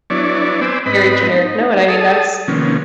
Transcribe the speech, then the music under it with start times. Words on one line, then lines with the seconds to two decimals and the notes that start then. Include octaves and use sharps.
very generic. No, and I mean, that's
0.10 F#3 B3 D4 E4 C#5 D5
0.61 C4 B4 C5 G#5 D6 E6
0.86 G#2 B3 C4 B4 D#5 B5
1.32 D#4
1.88 G#4 A4 A5 D#6
2.48 C3 D#3 F3 A#3 B3 C#4